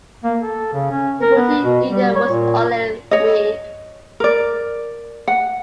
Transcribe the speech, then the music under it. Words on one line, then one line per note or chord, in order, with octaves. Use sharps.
Deputy leader was Ole Wiig.
A#3
A4
C#3
C#4
A#4
B3
B2
G3
C#5
A#2
C#5 D#5
A#4 D5
F#5